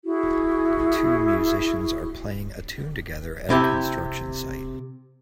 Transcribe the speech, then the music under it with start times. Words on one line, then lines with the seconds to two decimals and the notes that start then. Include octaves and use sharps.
Two musicians are playing a tune together at a construction site.
0.04 E4 F#4 G#4
3.50 C3 E4 G4